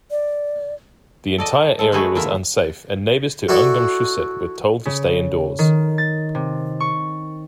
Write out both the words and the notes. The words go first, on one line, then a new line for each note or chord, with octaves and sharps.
The entire area was unsafe and neighbors to Ungdomshuset were told to stay indoors.
D5
A4 D5 D#5
G#3 A4
G#3 A3 F#4 G#4 B4 E5
D3 E3 A#3 E5
E4 F#4 A4 D5
C#3
D#3
A6
C3
C#6